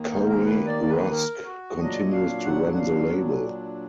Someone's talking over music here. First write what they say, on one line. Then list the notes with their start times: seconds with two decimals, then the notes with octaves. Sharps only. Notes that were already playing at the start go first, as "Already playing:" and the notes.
Corey Rusk continues to run the label.
Already playing: D#2 D#3 A#3
0.10 D#4
0.27 A#4
0.44 B4
0.67 D5
0.88 B4
1.12 A#4
1.45 F#4
1.78 A#2 F#3 D4 D#5
2.12 F5
2.45 F#5
2.74 F#5
2.78 F5